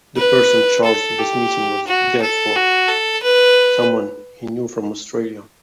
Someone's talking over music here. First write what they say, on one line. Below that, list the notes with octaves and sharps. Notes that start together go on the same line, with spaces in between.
The person Charles was meeting was, therefore, someone he knew from Australia.
B4
A4
G4
F#4
A4
F#4
A4
B4